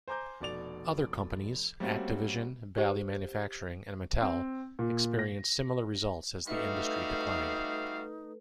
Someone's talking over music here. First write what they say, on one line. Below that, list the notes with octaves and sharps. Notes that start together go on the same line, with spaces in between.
Other companies-Activision, Bally Manufacturing, and Mattel-experienced similar results as the industry declined.
C5 G#5 A#5 D6 G6
F1 B2 D5 F7
G3 A3 A#3 C4 C#4 F#4
G4 C5
C4
A#2
A#6
G3 A3 D#4 F#4 A4 B4 E5 F5